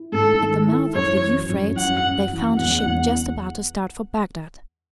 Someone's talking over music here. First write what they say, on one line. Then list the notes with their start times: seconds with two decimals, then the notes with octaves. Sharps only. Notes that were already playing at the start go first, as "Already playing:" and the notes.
At the mouth of the Euphrates they found a ship just about to start for Bagdad.
Already playing: E4
0.12 G#2 A4
0.40 D#3
0.67 E4
0.94 F#2 C#5
1.21 E3
1.49 F#2
1.76 F#2 F#5
2.04 F#2
2.31 E3
2.58 E2 F#5
2.85 E2